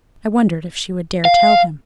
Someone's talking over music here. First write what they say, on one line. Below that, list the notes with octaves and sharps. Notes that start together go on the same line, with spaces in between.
I wondered if she would dare tell him.
F5